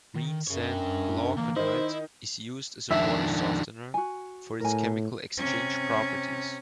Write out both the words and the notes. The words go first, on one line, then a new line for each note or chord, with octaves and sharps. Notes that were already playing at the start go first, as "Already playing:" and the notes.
Greensand glauconite is used as a water softener for its chemical-exchange properties.
D#3
F#2 G#4 C#5
D4 G5
D3 E3 A#3
D#3 D#4 E4 C5
F2 D#3 D4 E5
F#4 G#5
A2 A#4 G#5
C3 C#4